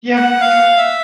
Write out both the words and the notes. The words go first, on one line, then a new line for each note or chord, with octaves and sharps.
Yeah, true.
F#5
F5
E5